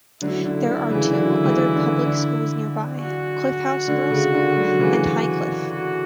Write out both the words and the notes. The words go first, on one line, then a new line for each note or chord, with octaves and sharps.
There are two other public schools nearby, Cliff House girls school and Highcliffe.
D3 F#3 E4
D3
D3
C#3 E3
D3 F#3
C#3 E3
D3
D3
F#4
D3
C#3
D3
D3 F#3
C#3 E3
F#4